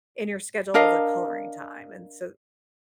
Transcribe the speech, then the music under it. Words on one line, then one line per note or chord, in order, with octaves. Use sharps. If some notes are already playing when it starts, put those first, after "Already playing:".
in your schedule the coloring time, and so,
D4 A#4 D#5 F5